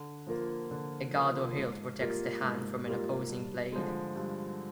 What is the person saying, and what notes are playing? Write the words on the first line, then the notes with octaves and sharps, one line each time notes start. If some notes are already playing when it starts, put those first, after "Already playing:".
A guard or hilt protects the hand from an opposing blade.
Already playing: D3
F3 A#3 F4
D3
F3 A#3 F4
G#2
G3 A#3 F4
G#2
G3 A#3 F4
G2
D3 F3 G#3
G2